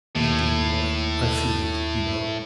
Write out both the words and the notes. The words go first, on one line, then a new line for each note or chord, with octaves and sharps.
My dear boy, I feel it, you know.
D#2 A2